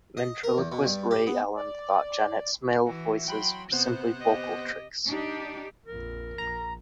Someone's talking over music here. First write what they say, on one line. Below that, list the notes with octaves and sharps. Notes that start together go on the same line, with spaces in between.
Ventriloquist Ray Alan thought Janet's male voices were simply vocal tricks.
D#5
A#4
E2
B2
G2
G4
B3
D5
E3 E4 F#4
F#3 G5 B5 C6
C3 B3 C5 F#6
G4 D#5
D4 D#4 G4
A#1 F2 A#4
A#1 A#5